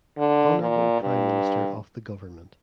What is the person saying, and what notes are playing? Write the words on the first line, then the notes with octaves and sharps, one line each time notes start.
Honorable Prime Minister of the Govt.
D3
A#2
G2